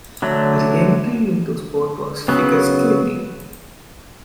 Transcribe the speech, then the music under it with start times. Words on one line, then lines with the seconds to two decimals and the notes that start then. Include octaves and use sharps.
Her entry into sport was figure skating.
0.22 D3 F#3 A3
2.28 C#3 F#3 B3